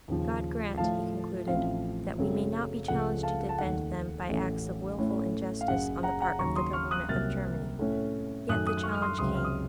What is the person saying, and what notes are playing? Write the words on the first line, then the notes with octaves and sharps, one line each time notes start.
"God grant," he concluded, "that we may not be challenged to defend them by acts of willful injustice on the part of the government of Germany." Yet the challenge came.
D#2 C#3 F3
A2 F3 A3 F5 A5
A1 A2 F3 C4 F5
F#2 C#3 F#3 A3 C4
C#2 C#3 F3 A3 F#5
F5 A5
A5
D#2 D#3 A3 F#5
A1 A2 A3 C#4
A2 A3 C#4
F5
F#1 F#2 C#3 F#5
F#5 A#5
F#5 A#5
D#2 C#3 F#3 A#5 C#6
C6 D#6
C#6 F6
D#6 F#6
C2 C3 F#3 A#3 F6 A6
A2 A3 C#4
F#2 D#3 F#3 A3 D#6 F#6
D#6 F#6
F#6
C#6 F6
F6
C6 D#6
C#2 C3 F#3 C4 C6 D#6
F6
D#6